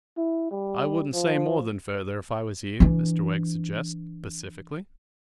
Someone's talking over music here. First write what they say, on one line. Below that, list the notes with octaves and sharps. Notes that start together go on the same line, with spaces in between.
'I wouldn't say more than further, if I was you,' Mr Wegg suggests, pacifically.
E4
G3
F3
E3 D4